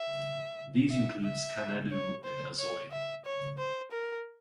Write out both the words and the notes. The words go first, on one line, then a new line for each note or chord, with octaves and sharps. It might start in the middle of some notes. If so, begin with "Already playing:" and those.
These include Scanadu and Azoi.
Already playing: E5
E5
E5
C#5
C5
C#5
E5
C#5
C5
A#4